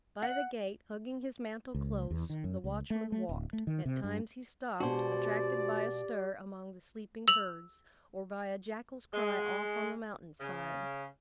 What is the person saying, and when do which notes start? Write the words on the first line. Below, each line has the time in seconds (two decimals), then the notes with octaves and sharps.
By the gate, hugging his mantle close, the watchman walked; at times he stopped, attracted by a stir among the sleeping herds, or by a jackal's cry off on the mountain-side.
0.22 F#5
1.74 C#2
2.11 E2
2.30 D#3
2.44 F#2
2.64 C#2
2.90 A3
3.12 A3
3.29 D1
3.53 A3
3.67 D#3
3.86 C3
4.04 G2
4.80 B2 G#3 D4 F#4 G4 C5 D5
7.28 E6 F7 F#7
9.14 G#3
10.40 C#3